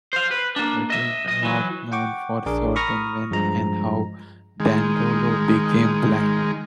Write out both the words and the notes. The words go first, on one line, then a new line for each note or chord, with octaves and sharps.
It is not known for certain when and how Dandolo became blind.
C5 F5
B4
A#3 D4
D#5 E5
B1 D#5
E3 F#3
F#5 G5 C#6 D6
A#1 D4 G#4 A#4 D6
A#5 B5 C#6 D#6 F6 A#6
G2 F3 G#3 A#5
D#3 G#3